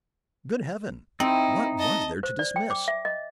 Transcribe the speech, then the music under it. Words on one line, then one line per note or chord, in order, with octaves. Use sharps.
Good Heaven, what was there to dismiss!
C4 D#4 E4
D#5 A5
C5
D5
G5
D6
E5
D#5